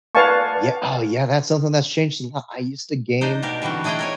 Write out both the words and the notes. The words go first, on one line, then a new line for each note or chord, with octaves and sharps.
yea oh yeah, that's something that's changed a lot. I used to game
B4 D5 F5 G#5 A5 C#6
D4 D#4 C5
B2 G4 A#4 F5
D3 E3 G3 C4 F#4
D4 E4 G#4 D#5 G5 A#5
A#4 C#5 G#5